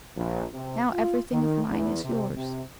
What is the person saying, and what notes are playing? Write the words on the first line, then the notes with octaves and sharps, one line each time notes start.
Now everything of mine is yours.
A#1
C3
F4
D#3
E2
C3
C3